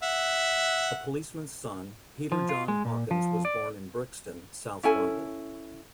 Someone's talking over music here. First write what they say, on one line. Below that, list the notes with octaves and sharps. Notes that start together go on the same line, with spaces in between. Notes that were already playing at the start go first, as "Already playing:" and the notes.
A policeman's son, Peter John Hawkins was born in Brixton, south London.
E5 F#5
F3
F4
G#3
A#2
F3
D5
C#4 E4 A4 G#5